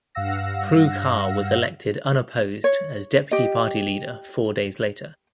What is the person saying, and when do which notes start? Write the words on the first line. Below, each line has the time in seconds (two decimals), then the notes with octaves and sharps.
Prue Car was elected unopposed as deputy party leader four days later.
0.15 G2 F5 F#5 E6 A#6
2.64 C#5
3.31 G4 D#5